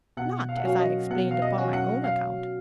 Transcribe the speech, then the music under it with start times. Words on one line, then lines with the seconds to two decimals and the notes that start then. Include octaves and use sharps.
Not, as I explained, upon my own account.
0.17 B2 F#5
0.49 F5
0.57 F#5
0.64 F#3 C#4 F#4 F5
0.74 C#5
0.79 D#5
1.10 B2 F#5
1.31 F5
1.42 D#5
1.58 F#3 C#4 F#4
1.73 F#5
2.04 F5